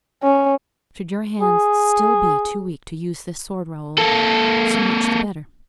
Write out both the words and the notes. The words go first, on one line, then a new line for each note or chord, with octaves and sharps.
Should your hand still be too weak to use this sword, Raoul, so much the better.
C#4
G#4
A#3 A4